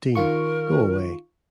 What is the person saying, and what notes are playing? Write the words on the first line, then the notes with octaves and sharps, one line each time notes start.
Dean, go away.
D#3 F4 A#4 C#6